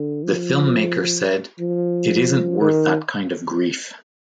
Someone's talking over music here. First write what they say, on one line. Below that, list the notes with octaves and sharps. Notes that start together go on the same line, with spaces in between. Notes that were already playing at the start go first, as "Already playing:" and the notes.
The filmmaker said, It isn't worth that kind of grief.
Already playing: D3
F3
F3
D#3